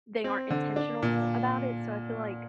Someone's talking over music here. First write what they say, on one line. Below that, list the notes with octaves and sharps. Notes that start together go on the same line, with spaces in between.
they aren't intentional about it. So I feel like
C4
D3
D4
A#2